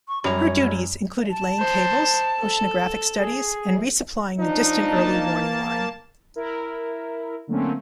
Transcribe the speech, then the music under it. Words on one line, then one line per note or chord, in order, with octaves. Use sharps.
Her duties included laying cables, oceanographic studies, and re-supplying the Distant Early Warning Line.
C#6
F#2 G3 C#5 A#5
A5
C5
A4
G#4
F3 D4 D#4
A#3 A5
E4 A#4
D3 F#3 A3 A#3 C4 C#4